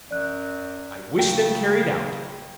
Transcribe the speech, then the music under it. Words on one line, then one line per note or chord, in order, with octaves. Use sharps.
I wish them carried out.
F#2 D5 F#6
C#3 F#3 G5